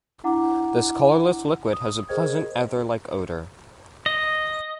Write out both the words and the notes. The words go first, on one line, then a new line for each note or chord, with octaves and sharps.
This colorless liquid has a pleasant ether-like odor.
D4 E4 F#5 A#5 D6
D#6
G#4 A#4 C5 D#5 G5 G#6
D#5